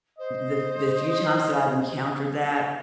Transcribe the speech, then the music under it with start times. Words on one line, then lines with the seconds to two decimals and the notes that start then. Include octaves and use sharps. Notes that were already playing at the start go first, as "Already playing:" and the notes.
the f the few times that I've encountered that
0.19 C5 D#5